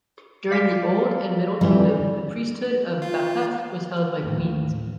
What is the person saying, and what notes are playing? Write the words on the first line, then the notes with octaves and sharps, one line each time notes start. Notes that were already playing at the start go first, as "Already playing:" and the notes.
During the Old and Middle Kingdom the priesthood of Bapef was held by queens.
D5 F5 B6
F2 E3 G3
F4
D#2 A2